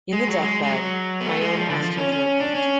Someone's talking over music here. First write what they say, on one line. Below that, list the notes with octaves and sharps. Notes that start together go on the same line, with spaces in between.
In the death-bed Mayon asked him to repent.
G#3
F#3
G#3
G#3
F#3
B3
A3
G#3
F3
D3
F3
C#4
C#4
D4
C#4